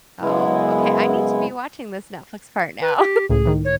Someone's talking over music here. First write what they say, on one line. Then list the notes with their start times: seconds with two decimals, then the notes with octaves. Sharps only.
Oh, okay. I need to be watching this Netflix part now.
0.22 F#2 C#3 G#3 B3 E4
2.81 B4
2.98 G4
3.29 C#2 A2 G#4
3.46 A2 D#3
3.65 C#5